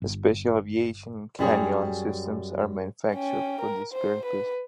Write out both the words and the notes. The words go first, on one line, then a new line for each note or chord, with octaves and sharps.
Special aviation cannula systems are manufactured for this purpose.
G1
F#2 G3 G#4 C#5
C#4 G5
A#4
C5
B4